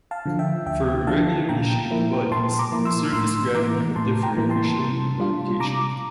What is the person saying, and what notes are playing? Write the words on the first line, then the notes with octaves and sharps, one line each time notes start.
For irregularly shaped bodies, the surface gravity will differ appreciably with location.
F5 A5
D3 F3
E5 G5
D2 E5 G5
D3 F3 F5 A5
A#2 G5 A#5
F3 A#3 E4
A#2 A5 C6
A#5 D6
F3 A#3 E4
C6 E6
F6
A2 C6 E6
E3 A#3 E4 A#5 D6
A2 A5 C6
G5 A#5
E3 A#3 E4
A5 C6
C3
G3 D4 F4
C3 A#5 D6